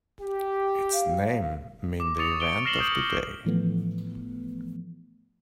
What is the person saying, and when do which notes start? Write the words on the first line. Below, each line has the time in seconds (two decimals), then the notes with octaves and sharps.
Its name means "The event of the day".
0.21 G4
0.93 F5
2.00 D6
2.19 C#6 D#6 A6 C#7 F7
2.40 C#6 D7 G7
2.65 F6 A#6 C7 E7 F#7 G7
2.79 D#6 G6 D7 F#7
3.45 A2 E3 F3 A3 B3